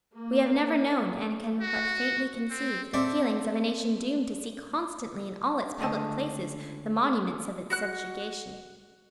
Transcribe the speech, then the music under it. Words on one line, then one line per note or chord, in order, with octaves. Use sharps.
We have never known, and can but faintly conceive, the feelings of a nation doomed to see constantly in all its public places the monuments of its subjugation.
A#3
F#4
C4
C4 A4 D5 E5 A5
C#2 D3 A3 D#5 A5
F#4 F#5 F#6